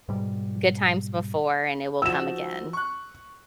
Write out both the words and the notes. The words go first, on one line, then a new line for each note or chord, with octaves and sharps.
good times before, and it will come again.
G#2 B2 G3
F3 D#4 F#4 E6 E7
C#6 F#6